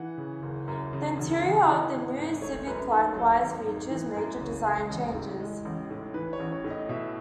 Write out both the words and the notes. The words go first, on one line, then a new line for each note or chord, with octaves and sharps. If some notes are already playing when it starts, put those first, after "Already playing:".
The interior of the new Civic likewise features major design changes.
Already playing: E3 F#5
C#3
F#1
F#2
C#3
E1
E2
E3 D#5
G#1
G#2
A3 C#5
F#2 B4
D#3 A4
F#3 A4
G#1
G#2
E3
F#2
C#3
G#3 G#4
A1
A2
G#3
A1
A2
E3 B4
C#5
A1
C#5
A2
D#5
B2 E5